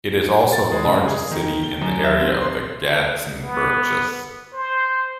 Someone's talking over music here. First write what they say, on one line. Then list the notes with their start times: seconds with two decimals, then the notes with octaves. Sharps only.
It is also the largest city in the area of the Gadsden Purchase.
0.52 A6
0.72 G#3
0.84 C#3
1.06 G#4
1.31 D#3
1.63 G7
1.81 F#2
2.04 E5
2.20 C4
2.41 C6
3.43 B3
4.53 C5